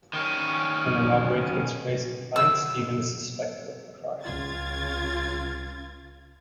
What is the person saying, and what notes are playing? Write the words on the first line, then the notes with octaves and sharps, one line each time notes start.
When a robbery takes place at the bank, Stephen is suspected of the crime.
D#3 C#4
E6
C#2 C#3 F4 G#6 A6